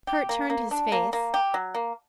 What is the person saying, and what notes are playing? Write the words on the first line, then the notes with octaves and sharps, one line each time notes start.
Kurt turned his face.
G4
A#3
A#3
D4
A#3
A#3
G4
F#3
A#3